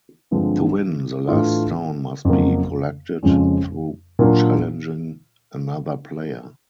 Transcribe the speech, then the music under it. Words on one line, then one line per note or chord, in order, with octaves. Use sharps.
To win, the last stone must be collected through challenging another player.
G2 D3 F3 G#3 C4
A2 E3 A3 D4 F4
F2 C#3 F#3 A#3
F2 C#3 F3 G#3 C#4
A#2 F#3 A#3 D4 F4